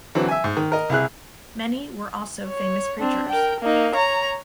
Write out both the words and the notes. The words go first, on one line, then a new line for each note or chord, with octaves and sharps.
Many were also famous preachers.
D3 E3 F#3 C4
E5 G#5
G#2
D#3
A#4 D#5
C2 E4 G#4 F#6
C#5
C4 D4
A#4 G5
A#3 D#4
C#5 A#5